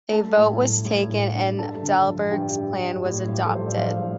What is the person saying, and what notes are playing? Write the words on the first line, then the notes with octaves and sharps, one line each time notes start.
A vote was taken and Dalbier's plan was adopted.
A3 A4 A5
A2
A2
A2
A2
D4
G2 A4 A5
D3
F3
G2 G4 G5
G2
G2
A2
F3 G4
A4
A2 C5
D5
F3 F4 F5
A2